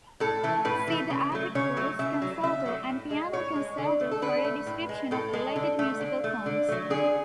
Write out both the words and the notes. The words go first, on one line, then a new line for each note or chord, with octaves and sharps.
See the artirucles concerto and piano concerto for a description of related musical forms.
A2 A4
E3 A3
A2 B4
E3 A3
C#3
F#3 A3
C#3 C#5
F#3 A3
C#3 E5
F#3 A3
C#3 E5
F#3 A3
A2
G#3
A2 C#5
G#3
D3
A3
A4
D3 B4
A3
A2
G#3
A2 A4
G#3
D3
A3
D3
A3
D3
F#3 A3
D3 G#4